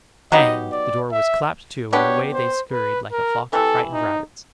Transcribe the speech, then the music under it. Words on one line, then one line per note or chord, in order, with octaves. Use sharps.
Bang! the door was clapped to and away they scurried like a flock of frightened rabbits.
F#3 B3 D#4 G4 D#5
D5
E5
F#3 B3 D4 G4 C#5
C5
B4
A#4
E3 G3 C4 E4 A4
D#4